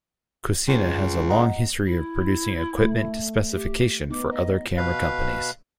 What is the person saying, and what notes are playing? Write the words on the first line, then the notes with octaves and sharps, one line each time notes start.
Cosina has a long history of producing equipment to specification for other camera companies.
C#2
D#5 F#5 A#5
E4
A3
G4
B3 D#4 D6
D#5
B2 B4 F5